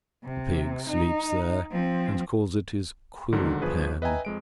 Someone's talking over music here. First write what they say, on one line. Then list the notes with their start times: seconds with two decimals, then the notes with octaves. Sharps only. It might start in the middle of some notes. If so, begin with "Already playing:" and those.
The pig sleeps there, and calls it his quill pen.
0.24 C3
0.89 D#4
1.71 F3 C4
3.32 B1 G#2 D3 D#3 F#3
3.62 G1 F3 G#4 B4
4.02 B4 D#5 E5 G5 G#5 A#5
4.25 F2 G#3 D7